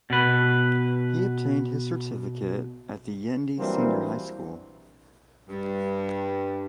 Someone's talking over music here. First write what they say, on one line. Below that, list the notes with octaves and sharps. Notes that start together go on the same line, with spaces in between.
He obtained his certificate at the Yendi Senior High School.
B2 B4
E3 F#3 G3 A#3 C4 D4
G2